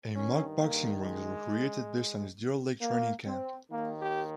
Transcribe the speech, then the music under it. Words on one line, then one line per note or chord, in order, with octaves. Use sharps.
A mock boxing ring is recreated based on his Deer Lake Training Camp.
G2 D#3 C#4
A#3
G#3
A#3
C4
D#2 D#3 A#3
G4